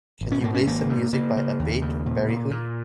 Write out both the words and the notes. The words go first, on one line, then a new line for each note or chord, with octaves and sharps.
Can you play some music by Abatte Barihun?
G#1
C#4
G#2 A#3
C#4
G#1 A#3
G#2
C#3 A#3
C#3
D#2
C#3
A#2
A#2
A#2